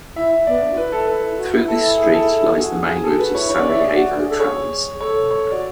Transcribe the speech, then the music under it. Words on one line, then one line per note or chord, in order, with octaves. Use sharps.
Through this street lies the main route of Sarajevo trams.
E4 E5
B3 D5
D4
F#4
E4 B4
A4
B4
F#4
E4
E4 A4
G#4
A4
A4
F#4 G#4
G#4
A4
F#4 B4
E4 C#5
D4 C#5
C#4 D5
E4 E5
G#4 D5
F#4
G#4
A4
G#4 C#5
A4 C#5
C#5
F#4 D5